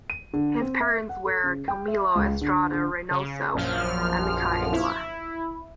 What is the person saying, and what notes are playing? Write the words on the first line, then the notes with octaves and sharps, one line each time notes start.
His parents were Camilo Estrada Reynoso and Micaela.
D#7
D3
C4
E5
F#5
A4
C#3
G5
E5
C#2
D3
D3
C#3
A#1 F#2 F3 F6
E4